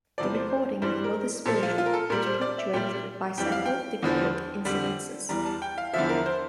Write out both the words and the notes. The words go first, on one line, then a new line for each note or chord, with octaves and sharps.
The recording of "Mother's Spiritual" was punctuated by several difficult incidences.
E2 C3 F3 D5
C5
C5
G2 E3 G3 C5
A#4
A#2 F3 A4
F4
F4
A#4
A4
A#2 G3 A#4
C5
D5
E5
A#2 G3 G5
F2 E3 G3 G5
F5
G5
E2 D3 F3
F2 D3 G3
E2 E3 G3 A#5
A5
G5
F5
E2 D3 F3 E5
A#4
C5